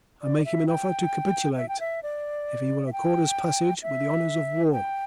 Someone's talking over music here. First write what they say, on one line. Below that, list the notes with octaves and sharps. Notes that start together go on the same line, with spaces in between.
I make him offer to capitulate if he will accord us passage with the honours of war.
D5
E5
G5
E5
G5
E5
D5
E5
G5
E5
G5